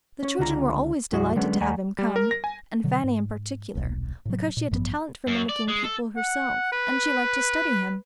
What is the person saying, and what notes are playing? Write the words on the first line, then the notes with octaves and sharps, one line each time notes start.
The children were always delighted to have him come, and Fanny in particular, because she had a talent for mimicking people herself, and she liked to study him.
C#4 C#5
C#2 D3 F4 G#4 A#5
C2 G2 F#3 E4 F#4 G#4
D3 F#3 G#3 B3 C#4
D#2 A3 D5 F#5 G#5 A#5
G3
A#4
A#6
G#5
B2 D3 F#3
G#2
D#1 B1
A2 C3 F#3
A#2
A1 G2 F3 B3
F#2
D5
G#3
A4
F#5
B4